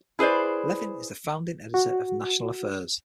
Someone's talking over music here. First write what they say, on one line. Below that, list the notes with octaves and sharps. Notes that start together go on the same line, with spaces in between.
Levin is the founding editor of "National Affairs".
E4 G#4 B4 C5 D5
F#4